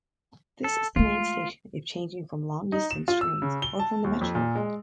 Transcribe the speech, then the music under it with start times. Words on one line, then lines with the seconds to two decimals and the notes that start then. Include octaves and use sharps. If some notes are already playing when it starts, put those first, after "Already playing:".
This is the main station if changing from long-distance trains or from the metro.
0.64 A4
0.96 G#3 A3 F4
2.72 D#4
2.91 E7
3.08 F4
3.21 E6
3.42 C#3
3.62 G7
3.79 A5
4.04 D#2
4.21 F2
4.35 A#2
4.55 G#3